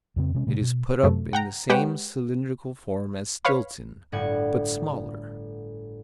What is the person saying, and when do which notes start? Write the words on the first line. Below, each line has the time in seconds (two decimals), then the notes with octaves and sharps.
It is put up in the same cylindrical form as Stilton, but smaller.
0.16 F2 C#3 C4
0.35 C3 G#3 C#4
0.47 A#2 C#3 A3
0.61 B2
1.03 F#2 C3 A3
1.33 F#5 G5 A#5
1.69 G#3 G4 B4 C#5 F#5 G5
3.45 B4 C#5 F5 B5
4.12 G1 A2 D5 F#5 G#6